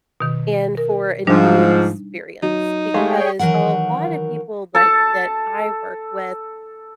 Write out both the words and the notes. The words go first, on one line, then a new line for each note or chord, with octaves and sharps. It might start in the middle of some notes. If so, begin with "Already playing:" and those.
and for a new experience, because a lot of people, like, that I work with,
B2 D#3
A#4
G#2 F3 G3 D4 D#4
F#3 D#4
G#3 A3 G4 G#4 C#5 F5 G5
D#3 E3 F#3 A#4 F#5
A4 A5